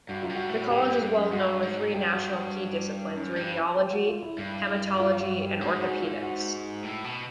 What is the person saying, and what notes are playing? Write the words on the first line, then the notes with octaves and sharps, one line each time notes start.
The college is well known with three national key disciplines: radiology, haematology and orthopaedics.
G2 F#4
F#2 F4
G2
F#4
A2
A2 G4
F#2
G2
G2
F#2
G2 F#4
G#2
G2 G4
F#4
F#4
F#2
G2
G4
F#4
F4
E4
G2 E4
F4
F#4
G4
G#2 F#4
F#4
F4
F#4
A2
B2